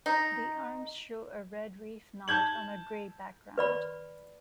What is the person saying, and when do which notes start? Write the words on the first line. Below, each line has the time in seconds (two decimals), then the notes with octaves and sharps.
The arms show a red reef knot on a gray background.
0.06 D#4
2.28 A5 G6 G#6 F#7
3.58 B4 D5 B5